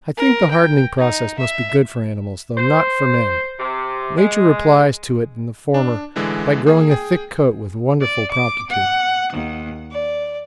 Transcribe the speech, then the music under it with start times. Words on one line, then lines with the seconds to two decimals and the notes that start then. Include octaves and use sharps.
I think the hardening process must be good for animals though not for men; nature replies to it in the former by growing a thick coat with wonderful promptitude.
0.17 A#4
0.51 G5
0.98 D#4
1.39 E5
2.57 C5
3.59 C3
4.17 G#3
5.74 D4
6.15 A1 D3 E3 G#3
6.66 A#3 G#4
6.90 G#4 G5
8.02 D5
8.32 D6
8.70 F#5
9.33 D#2
9.91 D5